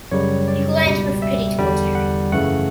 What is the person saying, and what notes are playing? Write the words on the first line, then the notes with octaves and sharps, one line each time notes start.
He glanced with pity towards Harry.
F#2 C#3 G3 C#5
D5
C#2 B2 G3
E5
E2 D3 G3
F#5
F#2 C#3 E3 A3 F#5